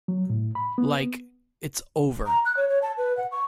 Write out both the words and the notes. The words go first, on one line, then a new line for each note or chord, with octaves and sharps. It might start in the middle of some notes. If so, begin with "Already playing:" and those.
Like, 'It's over!
F#3
A2
B5
B3
A#5
F#6
C#5
C#5
A5
B4
F#5
C#6